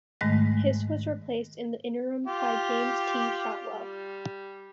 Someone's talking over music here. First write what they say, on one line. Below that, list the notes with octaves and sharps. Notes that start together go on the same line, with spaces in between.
Hiss was replaced in the interim by James T. Shotwell.
G#2 D#3 G#3 A3 D#5 A#6
F4 G4
G3